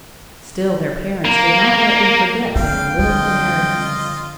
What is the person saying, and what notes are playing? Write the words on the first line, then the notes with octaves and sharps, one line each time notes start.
Still their parents did not let them forget they were little Americans.
A#3
F2 D3 F3 G#3 C4 F5 G5
G3 F4 D#5